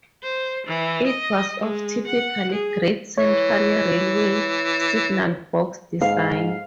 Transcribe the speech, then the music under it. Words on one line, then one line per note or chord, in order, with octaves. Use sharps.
It was of typical Great Central Railway signal box design.
C5
E3
D#5
G#3
F#5
G#4
E3 C#5
G#2 F5